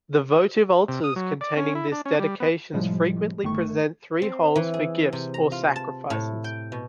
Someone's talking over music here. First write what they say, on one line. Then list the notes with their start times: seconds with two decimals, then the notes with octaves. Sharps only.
The votive altars containing this dedications frequently present three holes for gifts or sacrifices.
0.88 C3
1.04 D#6
1.16 F#3
1.41 D5
1.57 C#4
1.75 E4
1.92 D4
2.06 C#4
2.20 G3
2.40 B3
2.73 A2 C3 F3 G3 G#3
3.43 G1 D#3 A3 C#6
4.22 C4
4.56 E3
4.74 G#4
5.13 C3
5.34 A#5
5.52 F4
5.76 A5
6.10 A2
6.44 G5
6.72 B2